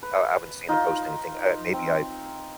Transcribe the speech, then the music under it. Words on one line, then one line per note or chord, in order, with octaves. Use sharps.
uh, I haven't seen him post anything, uh, maybe I
B4
D#4 F4
C4